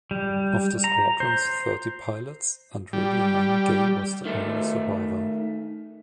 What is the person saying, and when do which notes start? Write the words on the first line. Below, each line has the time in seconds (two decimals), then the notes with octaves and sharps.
Of the squadron's thirty pilots and radiomen, Gay was the only survivor.
0.11 G3
0.84 A#5
1.20 C5
2.93 G3
4.25 D#3 A3